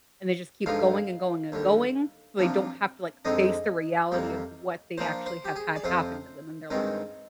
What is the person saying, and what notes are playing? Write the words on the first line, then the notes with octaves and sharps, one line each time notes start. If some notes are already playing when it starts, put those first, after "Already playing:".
and they just keep going and going and going so they don't have to, like, face the reality of what they actually have had happen to them in their life.
G2 D3 F3 G#3 D#4 F5
D#2 D3 G3
C3 F3 A#3 D4
F2 D3 G#3 C4 D#4 D#5
F2 C3 G3 A#3
A#2 F3 A#3 D4 C5
C5
G4
G#4
D5
F2 C3 F3 C4 C5
G2 D#3 G#3 C4 D#4